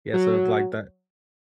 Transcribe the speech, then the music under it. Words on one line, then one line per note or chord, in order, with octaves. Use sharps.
Yes, I would like that.
F#3